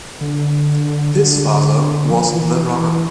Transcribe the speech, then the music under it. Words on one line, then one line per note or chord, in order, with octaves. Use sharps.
His father was the Ran.
D3
D3
F3
E3